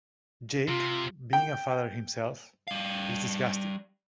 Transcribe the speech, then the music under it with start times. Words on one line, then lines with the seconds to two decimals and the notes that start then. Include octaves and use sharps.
Jake, being a father himself, is disgusted.
0.68 C3 F4
1.33 G5
2.68 G3 F5